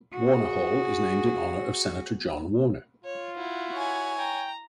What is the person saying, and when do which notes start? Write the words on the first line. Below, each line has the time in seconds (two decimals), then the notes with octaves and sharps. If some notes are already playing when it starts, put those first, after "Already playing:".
Warner Hall is named in honor of Senator John Warner.
0.14 F#4 G#4
3.05 F4 C#5
3.36 E4 F#4
3.74 C#5 G#5
4.18 G5 A#5